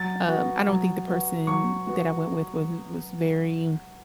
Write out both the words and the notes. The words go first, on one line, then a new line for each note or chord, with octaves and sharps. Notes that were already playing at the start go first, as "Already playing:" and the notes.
um, I don't think the person that I went with was was very
Already playing: F#3 A6
B3 F#4
F#3
B3 F#4
F#3 C#6
B3 F#4